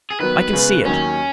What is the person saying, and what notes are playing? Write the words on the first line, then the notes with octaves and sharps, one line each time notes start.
I can see it.
G#4
D#3 F#3 B3 B4
C#3 G#3 B3
D#2 D#3 F#3 C#4